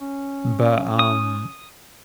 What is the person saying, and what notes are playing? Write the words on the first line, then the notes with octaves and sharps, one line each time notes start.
But, um
C#4
D#6